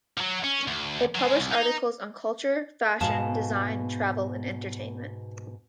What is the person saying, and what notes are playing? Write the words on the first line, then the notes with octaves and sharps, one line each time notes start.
It published articles on culture, fashion, design, travel and entertainment.
F3 F#3
C#4
D2
F#3 G#3
C2
D#4
G#2 B2 F5 A5